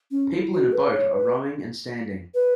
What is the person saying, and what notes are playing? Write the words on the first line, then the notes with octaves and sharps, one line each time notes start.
People in a boat are rowing and standing.
C#4
E4
F#4
B4
C#5
B4
B4